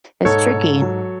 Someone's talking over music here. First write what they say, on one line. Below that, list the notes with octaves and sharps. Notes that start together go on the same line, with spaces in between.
It's tricky.
G#2 A4 C#5
G#2
F#3